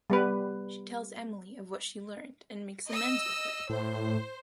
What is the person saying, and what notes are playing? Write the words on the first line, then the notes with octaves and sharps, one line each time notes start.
She tells Emily of what she learned and makes amends with her.
G3 B3 B4
D#5 E6
A2 C5